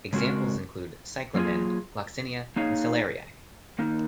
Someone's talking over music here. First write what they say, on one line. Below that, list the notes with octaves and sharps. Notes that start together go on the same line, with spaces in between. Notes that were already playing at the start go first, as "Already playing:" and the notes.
Examples include cyclamen, gloxinia and celeriac.
C#3 G#3 C4 F#4 A#4
F#3 A#3 F4 G#4
A#3 D#4 G#4 C#5 F5
D#3 A#3 D#4 A#4